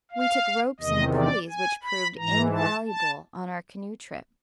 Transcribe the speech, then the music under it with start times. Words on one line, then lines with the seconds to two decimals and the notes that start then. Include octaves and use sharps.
We took ropes and pulleys which proved invaluable on our canoe trip.
0.12 F5
0.80 E2 C3 D#3 D#5
1.14 D5
1.49 G#5
1.83 B5
2.18 G#2 E3 A#5
2.52 A5
2.87 A5